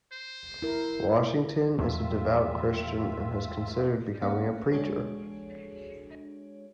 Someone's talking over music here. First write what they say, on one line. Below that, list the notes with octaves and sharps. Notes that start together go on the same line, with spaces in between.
Washington is a devout Christian, and has considered becoming a preacher.
C5
E4 A#4
E2 A#2 D#3 F3 G#3 F4 E5
A#3 C#4 F5 F#5
G#3 D4 F#4 G#4 A4 C#5